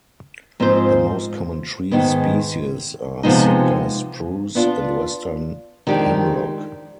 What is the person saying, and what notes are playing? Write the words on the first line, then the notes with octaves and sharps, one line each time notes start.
The most common tree species are sitka spruce and western hemlock.
G#2 F3 C4 F4 C5
G#2 D#3 G#3 B3
C3 F3 G#3 B3 D#4
B3 D4 F4
F2 D#3 G#3 D4 G4